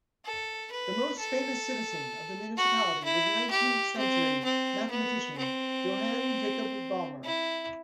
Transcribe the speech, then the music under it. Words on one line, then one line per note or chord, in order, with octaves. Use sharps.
The most famous citizen of the municipality was the nineteenth-century mathematician Johann Jakob Balmer.
A4
B4
A4
F#4
E4
G4
C4
C4
B3
C4
E4